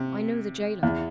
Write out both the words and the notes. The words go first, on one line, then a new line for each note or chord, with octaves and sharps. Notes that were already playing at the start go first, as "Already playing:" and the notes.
I know the gaoler.
Already playing: C3
E2